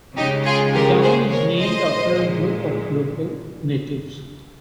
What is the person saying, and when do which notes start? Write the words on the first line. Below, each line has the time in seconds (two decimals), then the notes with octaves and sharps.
The town is named after a group of local natives.
0.16 C#3 G#3 D#4 G4
0.45 F4 G#4
0.74 G4 A#4
1.02 G#4 C5
1.31 A#4 C#5
1.59 C5 D#5
1.88 A#2 F3 G#3